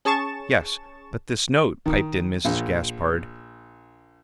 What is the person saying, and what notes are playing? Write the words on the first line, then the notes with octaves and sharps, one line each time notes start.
"Yes, but this note--" piped in Mrs. Gaspard.
C#4 G#4 A5 C#6 A6 E7
D#3
A#1